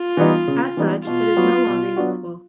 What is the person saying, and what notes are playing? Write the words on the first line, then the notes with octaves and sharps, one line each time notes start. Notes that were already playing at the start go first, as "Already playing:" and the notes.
As such, it is no longer useful.
Already playing: F4
E3 G3 B3 D#4
C#3
E3 G3 B3 D#4
B2 F4
F#3 B3 D4 F#4
B2
F#3 B3 D4 F#4